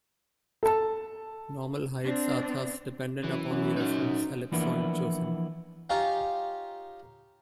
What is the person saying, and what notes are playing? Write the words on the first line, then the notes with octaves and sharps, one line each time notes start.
Normal heights are thus dependent upon the reference ellipsoid chosen.
A4 A5
C4 D4
F#2 E3
F#2
D#4 F#5
E3 F3 A#3 B3 D4 E4
D#4 F4 G4 C#5 F5 G#5